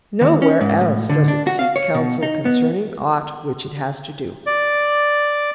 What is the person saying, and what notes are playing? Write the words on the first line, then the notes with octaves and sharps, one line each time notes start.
Nowhere else does it seek counsel concerning aught which it has to do.
D#2
C#4
G#2
A2
D3
D4
F#4
F5
C#5
B2
D#4
B3
D5